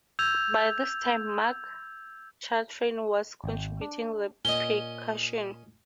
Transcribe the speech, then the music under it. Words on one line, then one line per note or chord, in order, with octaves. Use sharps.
By this time Marc Chartrain was contributing the percussion.
E6 G6 G#6 F7
G#1 G5
D4
A#2 C#4 D#5 G7